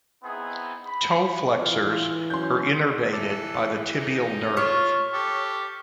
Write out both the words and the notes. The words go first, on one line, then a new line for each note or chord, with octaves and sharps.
Toe flexors are innervated by the tibial nerve.
B3 C4 D#4 E4 G#4
B5
E3 F4 B4 F5
F#3 C#4 C6 G6
E3 A4 D6
D#4
F4 C#5 C#6 F6 B6
G4 A4